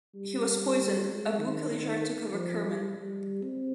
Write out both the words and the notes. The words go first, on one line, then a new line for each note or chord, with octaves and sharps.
He was poisoned; Abu Kalijar took over Kerman.
G3
G#3
D#3
D#3
F3
G3
G3
C4